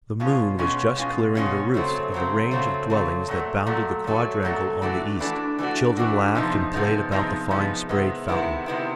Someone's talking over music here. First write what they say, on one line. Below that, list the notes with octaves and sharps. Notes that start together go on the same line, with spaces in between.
The moon was just clearing the roofs of the range of dwellings that bounded the quadrangle on the east. Children laughed and played about the fine-sprayed fountain.
B2 G#3 C#4 F4
B2 G#3 C#4 F4
B2 G#3 C#4 F4
B2 G#3 C#4 F4
C#3 F#3 A3 C4
C#3 F#3 A3 C4
C#3 F#3 A3 C4
C#3 F#3 A3 C4
A#2 F#3 A3
A#2 F#3 A3
A#2 F#3 A3
A#2 F#3 A3
E3 A3 D4 F#4
E3 A3 D4 F#4
E3 A3 D4 F#4
E3 A3 D4 F#4
C3 F3 G#3 B3 D#4
C3 F3 G#3 B3 D#4
C3 F3 G#3 B3 D#4
C3 F3 G#3 B3 D#4
C3 D#3 G#3 B3 E4
C3 D#3 G#3 B3 E4
C3 D#3 G#3 B3 E4